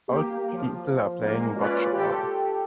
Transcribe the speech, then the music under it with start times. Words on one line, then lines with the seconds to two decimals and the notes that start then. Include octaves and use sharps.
Old people are playing bocce ball.
0.08 A#3 G4
0.53 F3
1.23 G#3 A#3
1.55 C#4 F4 B4 D5
1.92 G4 A4